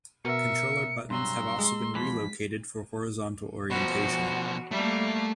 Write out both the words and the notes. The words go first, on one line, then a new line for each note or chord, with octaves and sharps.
Controller buttons have also been relocated for horizontal orientation.
B2 A#4 E5 C#7
G2 C3 F#3 A#5 C6 E6
G#3
F2 B2 E3 B6
B2 F3 F#4
G3 A3 A#3 E5